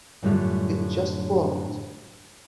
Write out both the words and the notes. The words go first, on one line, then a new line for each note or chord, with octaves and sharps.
It just worked.
F#2 A2 D3 G3 F4